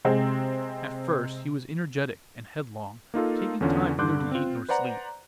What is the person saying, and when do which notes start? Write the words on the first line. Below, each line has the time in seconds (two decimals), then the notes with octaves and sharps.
At first he was energetic and headlong, taking time neither to eat nor sleep.
0.05 C3 G#3 C4
3.14 A#3 D#4 F4 A4
3.61 E2 D3 C#4 F4
3.98 G2 D3 C6 D6 F#6 G6
4.31 C4 F4
4.69 B4 C5 D5 F#5 A#5